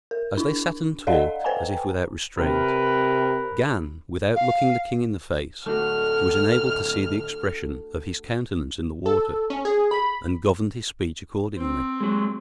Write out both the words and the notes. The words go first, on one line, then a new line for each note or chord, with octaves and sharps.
As they sat and talked, as if without restraint, Gan, without looking the king in the face, was enabled to see the expression of his countenance in the water, and governed his speech accordingly.
A#4
D4 E4
A4 D5 D#5 F5 F#5 A#5
B4 C5 G5 G#5 A#5
C3 A#4 B4
F5
D1 A3 D4 F#4 F6
A4
C#4
G#4
B5
C4
F#3 G#3